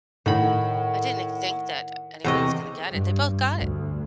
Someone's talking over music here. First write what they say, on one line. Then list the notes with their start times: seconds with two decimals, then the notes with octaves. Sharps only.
I didn't think that anybody was gonna get it, they both got it
0.26 A2 D#3 F#5 B5
2.24 E2 C3 G4 D#5 C#6
2.91 G2
3.57 D2